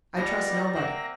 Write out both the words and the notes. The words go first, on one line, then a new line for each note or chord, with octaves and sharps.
I trust nobody.
B2 G3 F4 A#6
A#3 C4 E5 F#5